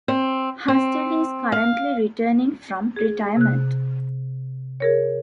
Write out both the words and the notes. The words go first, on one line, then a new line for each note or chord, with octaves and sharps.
Hutsell is currently returning from retirement.
C4
C4
F5
G#4
C3 F#6
G#4 A#4 C#5